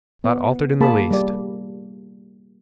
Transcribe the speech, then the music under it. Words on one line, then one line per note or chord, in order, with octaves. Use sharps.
Not altered in the least!'
B3
A#3 G#4 A5 B5
G3 D5